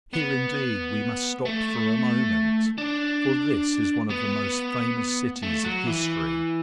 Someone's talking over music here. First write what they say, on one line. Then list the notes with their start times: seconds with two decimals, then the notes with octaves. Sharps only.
Here indeed we must stop for a moment, for this is one of the most famous cities of history.
0.13 B3
1.45 A3
2.78 D4
4.10 B3
5.43 A3
5.64 F#3
5.87 E3